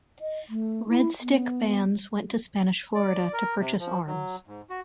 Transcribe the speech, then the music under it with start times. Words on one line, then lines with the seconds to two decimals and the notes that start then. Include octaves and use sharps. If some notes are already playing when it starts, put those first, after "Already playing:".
Red Stick bands went to Spanish Florida to purchase arms.
0.21 D#5
0.49 A3
0.89 E4
1.21 B3
2.95 D5
3.33 A#4
3.60 C3
3.80 F3
4.07 F#3
4.47 G#2
4.70 F#4